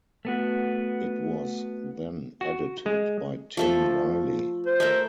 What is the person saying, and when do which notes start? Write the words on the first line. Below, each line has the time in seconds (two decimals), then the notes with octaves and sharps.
It was then edited by Tim Riley.
0.25 A3 B3 F#4
2.41 F#4
2.86 G#3
3.57 F3 A3 A4
4.66 C5
4.80 A3 A#4 E5